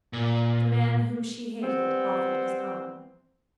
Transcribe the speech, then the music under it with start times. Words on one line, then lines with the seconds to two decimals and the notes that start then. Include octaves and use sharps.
The man whom she hated offered his arm.
0.13 A#2
1.61 G3 B3 C4